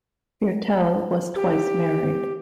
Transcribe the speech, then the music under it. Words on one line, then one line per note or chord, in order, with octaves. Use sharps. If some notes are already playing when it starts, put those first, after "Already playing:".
Viertel was twice married.
G4